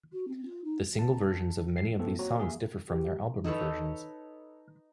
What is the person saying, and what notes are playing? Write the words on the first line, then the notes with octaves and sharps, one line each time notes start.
The single versions of many of these songs differ from their album versions.
F#4
C4
F4
D#4
A5
C7
A2 F3 A3 B3 C4 A4
A#3 C4 F#4 C#5 A#5
A#3 G4 G#4 E5
G4
D#4 A4 B4 C#5